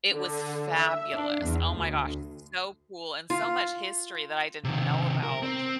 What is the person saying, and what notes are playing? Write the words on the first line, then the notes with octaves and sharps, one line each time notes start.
It was fabulous, oh my gosh, so cool, and so much history that I didn't know about
D3
E5
D4
E2
D2
F4
C3 D#3
A#4
C4